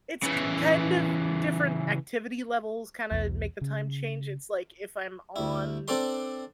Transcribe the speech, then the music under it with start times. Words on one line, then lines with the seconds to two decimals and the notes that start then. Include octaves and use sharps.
It's k kind of different activity levels kinda make the time change. It's, like, if I'm on
0.23 C#3 E3
3.11 B1 E2
3.61 C#3
5.36 D2 E4
5.88 C4 D4 A4 D5 C6